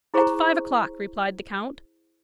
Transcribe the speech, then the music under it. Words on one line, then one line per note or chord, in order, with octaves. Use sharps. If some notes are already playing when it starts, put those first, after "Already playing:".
"At five o'clock," replied the count.
E4 G#4 C5 A#5 C#6